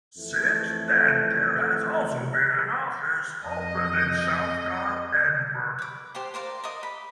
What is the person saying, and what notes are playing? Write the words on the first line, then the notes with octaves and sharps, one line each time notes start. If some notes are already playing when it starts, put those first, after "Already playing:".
Since then there has also been an office opened in South Gyle, Edinburgh.
F2 E3 A3
F2 D#5
B4 D6
G4 C5 A5 C6
A#4 C5 D5 F5
A#4 D5 D#5
B5